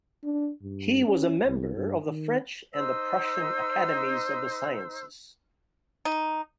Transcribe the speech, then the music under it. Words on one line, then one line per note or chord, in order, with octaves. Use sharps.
He was a member of the French and the Prussian academies of the sciences.
D4
G2
C#4
C2
G2
D#3
D#4 C5 E6
D#4